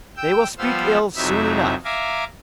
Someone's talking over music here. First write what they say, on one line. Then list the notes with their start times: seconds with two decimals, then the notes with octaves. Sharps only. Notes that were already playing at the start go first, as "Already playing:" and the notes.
They will speak ill soon enough.
0.16 G5 E6 G6
0.58 F3 G3 B3 C5 F5 E6
1.16 F2 C3 F#3 D#4 E4 E5
1.84 E5 F5 G#5 A#5 D6